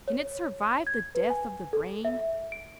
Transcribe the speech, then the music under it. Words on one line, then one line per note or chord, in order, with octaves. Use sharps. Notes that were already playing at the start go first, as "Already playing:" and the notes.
Can it survive the death of the brain?
C#5
G#6
B4
G#5
A4
E5
D7